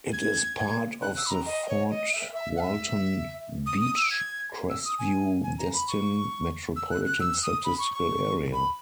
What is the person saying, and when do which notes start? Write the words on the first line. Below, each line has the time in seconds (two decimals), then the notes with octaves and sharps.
It is part of the Fort Walton Beach-Crestview-Destin Metropolitan Statistical Area.
0.13 G#6
1.02 F#6
1.17 E6
1.26 B5
1.31 A#5
1.46 D#5
1.68 C#5
1.90 D#5
2.13 E5
2.34 E5
2.56 F#5
2.60 E5
3.66 D#6
3.81 D#6
3.96 E6
4.11 G#6
4.70 E6
4.85 D#6
4.99 G#5
5.43 G#5
5.58 A#5
5.73 B5
5.88 C#6
6.76 E6
6.91 F#6
7.06 F#6
7.20 E6
7.43 D#6
7.64 B5
7.79 C#6
7.94 C#6
8.53 B5